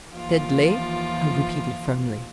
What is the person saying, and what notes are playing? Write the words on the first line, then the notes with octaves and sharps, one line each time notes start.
"Sidley," I repeated firmly.
D#2 E3 F3 F4 D6